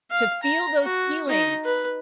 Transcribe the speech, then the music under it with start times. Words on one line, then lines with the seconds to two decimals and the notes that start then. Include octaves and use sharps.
to feel those feelings.
0.11 F5
0.43 A#5
0.83 F#4
1.28 D#4
1.65 B4